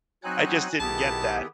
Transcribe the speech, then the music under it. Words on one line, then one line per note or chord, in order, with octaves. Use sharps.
I just didn't get that,
F#3 C4 D#4 F#4 G#5 F#6
B1 D#3 B3 E4 G4 G#4 A5